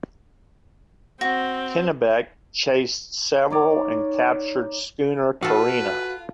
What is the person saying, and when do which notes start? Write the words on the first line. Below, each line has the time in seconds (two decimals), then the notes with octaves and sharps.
"Kennebec" chased several and captured schooner "Corina".
1.21 C4 F#4
3.50 D#4 C#5 D5
5.43 F4 F#4 A4 B4 F5